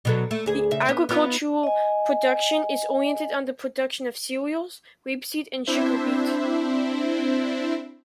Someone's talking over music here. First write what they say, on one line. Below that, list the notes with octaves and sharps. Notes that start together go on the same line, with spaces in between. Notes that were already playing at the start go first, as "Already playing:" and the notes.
The agricultural production is oriented on the production of cereals, rapeseed and sugar beet.
B2 F#3 A4
A3
D2 G#4
C#3 E5
B3
B3 D#4 F4
D#5 G#5
C4 D4 E4 C5 E5